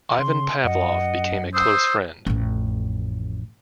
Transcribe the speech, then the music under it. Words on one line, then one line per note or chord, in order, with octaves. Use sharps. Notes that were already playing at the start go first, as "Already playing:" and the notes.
Ivan Pavlov became a close friend.
C#3 C6
F#2 D#5 F#5
C5 D#6 E6
A1 F2